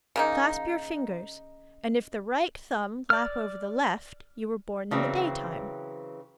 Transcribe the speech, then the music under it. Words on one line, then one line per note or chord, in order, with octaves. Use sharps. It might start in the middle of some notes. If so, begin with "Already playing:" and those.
Clasp your fingers, and if the right thumb lap over the left you were born in the daytime.
C#3 A#3 D#4
D5 F6
C#3 E3 F#3 C4